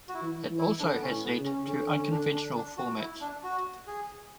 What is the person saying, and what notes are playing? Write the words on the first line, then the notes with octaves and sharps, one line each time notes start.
It also has led to unconventional formats.
F#4
E4
E3
E3
E4
D3 D4
B3
C#4
A2
B3
C#3
C#4
D3 C#4
C#4
D4
D4
D4
F#4
E4
D4
F#4
G#4